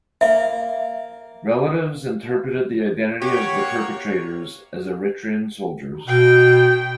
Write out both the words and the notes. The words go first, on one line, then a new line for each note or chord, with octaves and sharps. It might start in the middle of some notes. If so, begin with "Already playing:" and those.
Relatives interpreted the identity of the perpetrators as Eritrean soldiers.
A#3 E5
A#3 G4 C#5 F#5 C#6
B2 G5